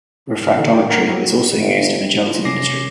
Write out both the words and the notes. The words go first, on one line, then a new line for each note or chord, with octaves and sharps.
Refractometry is also used in the gelatin industry.
G#2 F6
A#2 D3 E3 C#4 D#4 F#4
G#4 A#4 C#5 D5 G5
A#4 F#5
F3 F#3 A#3 E4 G4 E5
G1
D4 E4 F4
C3 C#4 D6 A#6 C7